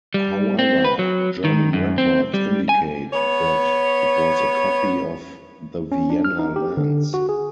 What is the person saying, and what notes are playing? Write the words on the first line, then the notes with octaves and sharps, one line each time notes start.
However, German records indicate that it was a copy of the Vienna lance.
G3
C4
B4
F#3
D#3
F#2
C4
G3
G#5
B3 C#5
C#4
D4
F6
D#4
G4
D3
F#4
G#4